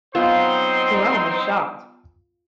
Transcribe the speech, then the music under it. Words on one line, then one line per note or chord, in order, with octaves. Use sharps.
Jerome is shocked.
F#3 B3 C4 D#4 F4 C5 D#5 C6